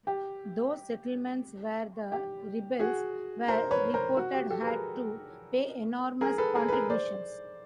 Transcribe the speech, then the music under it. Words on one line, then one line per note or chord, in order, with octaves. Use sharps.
Those settlements where the rebels were reported had to pay enormous contributions.
G4
G4
F#4 G#4
A#4 C5
B4 C#5
A#4 C5
F#4
G4
G4 A4
B4
G#4 A#4
G#4 A#4
A4 B4
G#4 A#4
B4
G#4 A#4
C5 D5